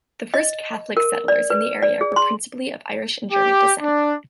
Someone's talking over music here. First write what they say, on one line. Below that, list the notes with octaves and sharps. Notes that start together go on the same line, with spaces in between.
The first Catholic settlers in the area were principally of Irish and German descent.
D#5
A#4
D5
B4
D5
G#4
C6
G4
D4